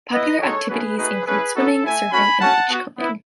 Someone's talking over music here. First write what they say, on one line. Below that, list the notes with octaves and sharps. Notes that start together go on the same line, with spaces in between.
Popular activities include swimming, surfing, and beachcombing.
B3 E4 B4 D#5
G#3 D#4 F#4 A4 C#5
A3 C#4 F#4 G#4 B4
A3 D#4 F#4 G#4 B4
A3 C#4 E4 G#4 B4
B3 D#4 F#4 A4
A3 E4 E5 G#5
A3 C#4 F#4 G#5 B5
A3 C#4 F#4 F#5 A5
B3 F#4
B3 E4